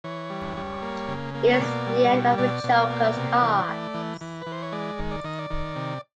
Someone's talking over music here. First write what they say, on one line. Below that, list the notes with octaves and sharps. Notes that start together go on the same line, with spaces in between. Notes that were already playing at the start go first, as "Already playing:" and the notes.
It's the end of the Joker's Cards.
E3 C#5
G3
G3
A#3
C#3
A#3
C#5
B2 D5
G3
B2
B2 D5
B2
A#3
C3
E3
A3
E3
E3
E3 B4
C5
C#5
G#3 D5
D#3
D5
D#3 D#5
D5
D#3
C3